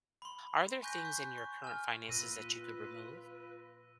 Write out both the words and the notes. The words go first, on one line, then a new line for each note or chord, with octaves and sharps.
Are there things in your current finances that you could remove?
B5 C6
G#5 C#6 F#6 G6 A#6 B6
C#6
C#6
G#5 F6
A#2 F4 B4 E6 A#6 D#7